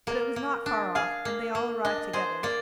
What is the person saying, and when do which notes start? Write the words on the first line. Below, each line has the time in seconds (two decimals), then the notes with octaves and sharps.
But it was not far off and they all arrived together.
0.07 A#3 A#4
0.36 A#3
0.66 D4
0.95 G#4 F5
1.25 A#3
1.55 A#3
1.85 D4 D#5
2.13 G#4 C5
2.43 A#3 D5